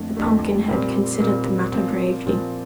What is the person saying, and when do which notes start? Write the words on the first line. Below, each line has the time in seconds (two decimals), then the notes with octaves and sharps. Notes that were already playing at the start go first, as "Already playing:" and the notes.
The Pumpkinhead considered the matter gravely.
Already playing: F2 D3 A3
0.17 F2 D3 A3
0.68 A#2 G3 C4
1.20 A#2 G3 C4
1.73 A#2 F3 C4
2.26 A#2 F3 C4